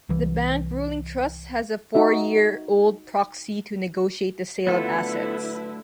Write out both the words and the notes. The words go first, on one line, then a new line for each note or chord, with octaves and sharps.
The Bank Ruling Trust has a four-year-old proxy to negotiate the sale of assets.
C2 E3
D#4 F#4 E5
D3 F#3 A3 B3 E4 F4 A4 B4